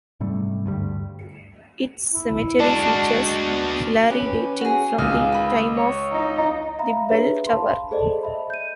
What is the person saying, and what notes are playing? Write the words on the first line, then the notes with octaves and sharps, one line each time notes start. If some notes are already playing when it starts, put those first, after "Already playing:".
Its cemetery features Hilarri dating from the time of the bell tower.
G#2 C3 G3 A3
D2 G2 G3
E4
G#3 D4 F#4 D5 A5
B3
C#4 G4 B4
F#4 G#4
C#2 D#3 B3 G#4 F5
D#5 B5
C#5
D#4
E5 F5 A#5 B5
D4 G4 G#4 B4 C#5 E5
F5 A5 B5 C6
G#4 A4 C5 D5 D#5 A5
D#5 E5 B5
G6 D#7